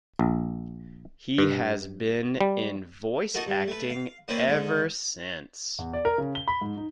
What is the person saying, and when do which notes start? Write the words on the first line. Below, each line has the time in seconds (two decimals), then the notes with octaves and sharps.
He has been in voice acting ever since.
0.19 A#1
1.38 G2
2.41 G3
3.34 D#4 F4 F#4 A4 A#4
3.47 G2
3.68 A3 B4
3.90 F5
4.28 A#3 C4 C#4 B4 C5 D5
4.48 G#2 D3
5.79 E2
5.93 D5
6.05 A#4
6.18 C#3
6.35 G7
6.48 B5
6.61 G#2
6.77 D#4